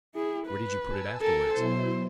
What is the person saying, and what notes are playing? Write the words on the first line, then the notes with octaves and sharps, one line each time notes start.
"Where did you put it afterwards?"
E4 G#4
B4
G#5 A5 E6
A4 A#4
B2 F#3 E4 C5